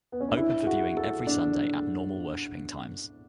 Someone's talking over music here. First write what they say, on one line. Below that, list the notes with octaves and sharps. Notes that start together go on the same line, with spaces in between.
Open for viewing every Sunday at normal worshipping times.
B3
C#4
D4
E4
G#4
F#4
A4
D4